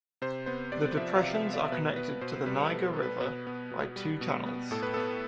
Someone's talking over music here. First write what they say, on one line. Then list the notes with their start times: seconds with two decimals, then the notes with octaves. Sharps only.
The depressions are connected to the Niger River by two channels.
0.22 C3 C5
0.46 B3 C5
0.72 C3 D5
0.97 F3 E5
1.16 F5
1.22 C3
1.34 E5
1.46 B3
1.54 D5
1.72 B2 B4
1.96 B3 B4
2.21 B2 C5
2.46 G3 B4
2.66 A4
2.72 B2
2.93 B3 A4
3.03 B4
3.21 B2 B4
3.47 B3
3.71 B2
3.96 G3
4.21 B2
4.46 B3
4.71 A2 A4
4.83 B4
4.94 B3 A4